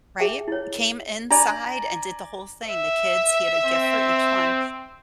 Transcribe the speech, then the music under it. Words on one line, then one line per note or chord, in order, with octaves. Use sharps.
Right. Came inside and did the whole thing. The kids he had a gift for each one.
G#4 E5 G5
E4 C#5
D4 D5 G#5 A#5 B5
E5
C4